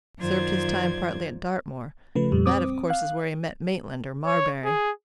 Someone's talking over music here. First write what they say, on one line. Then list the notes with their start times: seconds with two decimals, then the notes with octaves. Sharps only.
Served his time partly at Dartmoor. That, of course, is where he met Maitland or Marbury.
0.19 F#2 D#3 F4 C5 D5 G#6
2.15 C#3 F3 A3 B4
2.32 F2 A#2 G3
2.46 C4 D6 D#6
2.90 F5 F#6
4.25 C#5
4.65 G#4